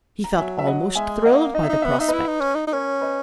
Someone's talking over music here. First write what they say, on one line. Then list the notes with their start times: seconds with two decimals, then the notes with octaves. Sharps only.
He felt almost thrilled by the prospect.
0.24 A#5
0.37 F#3 E5 G#5
0.59 E5
0.67 D#5 F#5
0.95 G#3 E5 G#5
1.25 A#3 D#5 F#5
1.55 D#4 D#5
1.63 E5
1.69 D#4 D#5
1.82 B3 E5
1.92 D#5
1.99 D#4 E5
2.09 E4 B4 D#5
2.27 D#4
2.40 C#4
2.55 D#4
2.67 D#4
2.72 C#4 A#4 C#5
3.01 B4 D#5